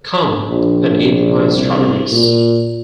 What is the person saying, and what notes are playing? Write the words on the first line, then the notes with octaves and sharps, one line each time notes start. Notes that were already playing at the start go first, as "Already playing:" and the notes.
Come, and eat my strawberries.
A#1
C2
A#2